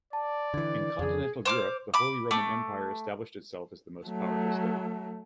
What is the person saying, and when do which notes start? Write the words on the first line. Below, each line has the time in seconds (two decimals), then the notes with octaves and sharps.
In continental Europe, the Holy Roman Empire established itself as the most powerful state.
0.13 D5 A5
0.54 D3 E3 G#6
0.99 F2 C#3 G#4
1.45 C5 D6 F6
1.94 B5 D6
2.31 A3 D6
4.07 F#3 A3